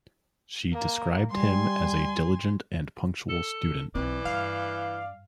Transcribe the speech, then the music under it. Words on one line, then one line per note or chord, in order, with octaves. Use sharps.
She described him as a diligent and punctual student.
A#3
G3 G#5 C6
A4
B1 E3 C4 D5
G2 F5